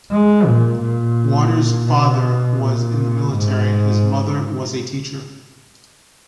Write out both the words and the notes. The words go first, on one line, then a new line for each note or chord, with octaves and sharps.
Water's father was in the military and his mother was a teacher.
G#3
A#2
A#2
B2
A#2
G#2